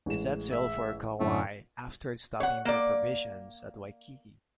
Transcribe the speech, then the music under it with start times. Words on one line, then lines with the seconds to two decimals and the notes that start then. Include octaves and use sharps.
He set sail for Kauai after stopping for provisions at Waikiki.
0.06 A1 G#3 E7
0.52 E5
1.20 F#2 A2 D3 A3
2.40 C#5 F#5
2.65 A#3 D5